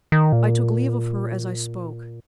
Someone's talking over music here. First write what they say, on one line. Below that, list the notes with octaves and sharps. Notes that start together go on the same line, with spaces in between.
I took leave of her as I spoke.
D#3
A#2